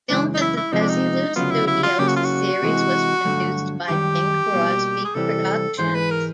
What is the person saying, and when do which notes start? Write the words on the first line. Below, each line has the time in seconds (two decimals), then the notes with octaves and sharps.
Filmed at the Desilu Studios, the series was produced by Bing Crosby Productions.
0.10 F#2 C#3 E3 G#3 D4
0.34 D#4
0.41 E4
0.57 E4
0.73 C3 F3 G#3 D#4
0.81 D4
0.89 D#4
1.36 D2 C#3 F#3 B3 F4
1.51 E4
1.67 E4
1.83 F4
1.99 C#3 F#3 A#3 G4
2.08 F#4
2.16 F4
2.25 F#4
2.62 C3 E3 G#3
3.25 G2 D3 F#3 A3
3.88 F#2 D#3 G3 G4
4.52 B2 G3 A#3
5.05 G#4
5.15 C2 C3 E3 G3 C4 A4
5.78 G#2 E3 G#3 C5
5.95 B4
6.10 A#4